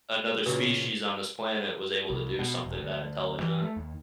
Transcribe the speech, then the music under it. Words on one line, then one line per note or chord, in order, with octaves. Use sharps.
another species on this planet was able to do something that intelligent.
A#2 C#3 F#4 B4
C2
B2
E1
D2
E3
A3
D#2